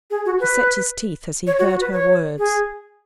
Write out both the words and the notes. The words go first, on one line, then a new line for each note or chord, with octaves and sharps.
He set his teeth as he heard her words.
G#4
F#4
B4
C#5
F#4
F#4
B4
C#5
G#4